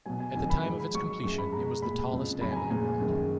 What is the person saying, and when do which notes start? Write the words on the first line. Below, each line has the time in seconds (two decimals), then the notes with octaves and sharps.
At the time of its completion, it was the tallest dam in the world.
0.06 B2 F#3 G#5
0.20 G#5
0.35 F2 D#3 F#3 G#5
0.50 B5
0.65 G#2 F3 G#3
0.80 B5
0.94 G#2 F#3 C#6
1.24 F#2 F3 G#3 C#6
1.38 B5
1.53 B2 G#3 A#5
1.82 A#2 G#3 B5
2.11 F2 C#3 F3 G#3
2.41 F2 C#3 F#3 B5
2.52 G#5
2.56 A#5
2.70 A#2 F3 G#3 G#5
3.00 F#2 D#3 G#3